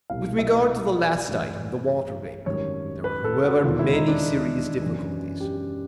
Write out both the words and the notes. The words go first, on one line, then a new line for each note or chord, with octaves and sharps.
With regard to the last item--the water-vapour--there are however many serious difficulties.
C2 B2 G3 F5
E5
D#5
E5
D#5
D5
G2 E3 A3
G#1 F#2 D#3 G3 C#5
B4
A4
F#4
E1 D#2 D#3 G#3 F4
E4
D#4
D4
F#2 C#3 E3
G4